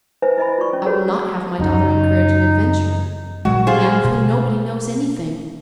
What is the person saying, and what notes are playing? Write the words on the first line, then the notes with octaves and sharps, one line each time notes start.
I will not have my daughter encourage an adventurer,--a man of whom nobody knows anything.
E4 B4 C5 E5 G#5
E4 D#5 E5 G#5 B5
F4 D5 C#6
C#4
F#4 G#4 A4 B4 C#5
F#2 C#3 F#3 D#4
A#2 F#3 G#3 F#4
F4 G#4 C5
B2